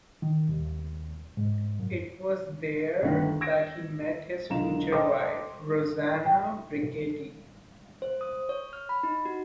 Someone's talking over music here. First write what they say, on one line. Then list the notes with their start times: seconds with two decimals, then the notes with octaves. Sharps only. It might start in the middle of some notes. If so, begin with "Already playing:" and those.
It was there that he met his future wife, Rosanna Brichetti.
0.22 D#3
0.49 D#2
1.37 G#2
1.80 F#2
3.02 G1 D2 D3 D#3
3.41 E6 G#6 A#6 D7
4.50 E1 B1 D3 F4 A#5 E7
4.92 A4 C5 D#5 G5 A#5 D6
6.25 G5
8.02 C5
8.21 D#6
8.49 C#5
8.73 F6
8.89 B5
9.03 D#4
9.25 F#4